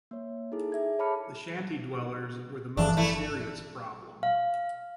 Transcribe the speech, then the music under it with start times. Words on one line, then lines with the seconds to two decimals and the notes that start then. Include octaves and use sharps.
The shanty dwellers were the most serious problem.
0.11 A#3 C#5
0.52 D#4 E4 G#4 A4
0.72 G#4 E5 G#6
0.99 C#5 A5 B5 D6 F6 C#7
2.77 G1 E3 F3 D4
2.97 A3 E4
4.23 F5